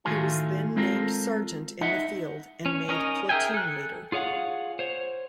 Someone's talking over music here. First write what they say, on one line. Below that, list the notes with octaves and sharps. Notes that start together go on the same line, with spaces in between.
He was then named sergeant in the field and made platoon leader.
A2 D#3 A3 F4 F#4 G#5
G#3 C4 F4 A4 A#4
D#4 D#5 E5 F#5
C#4
C#4 D#4 A#4 D#5
G#4 A#4 E5 G5 G#5
A4 F#6
F4 G#4 C#5 F5 F#5
C5 C#5